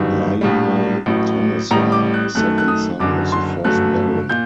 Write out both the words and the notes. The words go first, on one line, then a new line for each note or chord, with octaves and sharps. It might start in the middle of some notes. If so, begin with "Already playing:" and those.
Lionel Tennyson, second son of the first Baron.
Already playing: G1 F#2 D#3 G3
A#1 A2 G3
A1 A2 F#3
A1 A2 G3 A#5
D6
F#6
F#2 D#3 A3 F#6
F#6
D#6
F#1 F#2 D3 D6
C6
G1 F#2 F#3 A3 F#6
A#2 G6